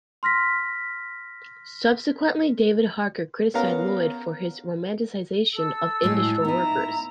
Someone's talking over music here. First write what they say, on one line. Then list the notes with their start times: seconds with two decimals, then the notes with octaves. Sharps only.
Subsequently David Harker criticised Lloyd for his romanticisation of industrial workers.
0.23 C6 F6 A#6 B6
3.54 B3 C#4 A#4 F5 A#5
5.55 A4 E6
6.03 A2 F#3 G#3
6.45 B3 D#4 E4 A#5